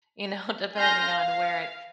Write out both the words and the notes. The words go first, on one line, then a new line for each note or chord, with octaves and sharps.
you know, depending on where it
G#5 C6 F6 G6 A#6
F5